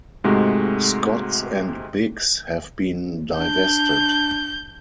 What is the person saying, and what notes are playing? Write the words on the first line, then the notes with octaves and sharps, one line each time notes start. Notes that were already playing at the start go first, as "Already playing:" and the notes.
Scotts and Biggs have been divested.
G#2 C3 G#3 A3 F#4
D4 G6